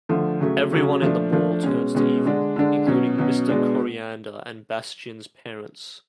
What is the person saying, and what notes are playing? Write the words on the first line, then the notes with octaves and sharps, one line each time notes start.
Everyone in the mall turns to evil, including Mr. Koreander and Bastian's parents.
D3 F3 A3
C#3 F#3 A3
C#3 F#3 A3
F3 A3 D4
F3 A3 D4
B2 G#3 C#4
B2 G#3 C#4
D3 G#3 D4
D3 G#3 D4
B2 F#3 C#4
B2 F#3 C#4
B2 G#3 D4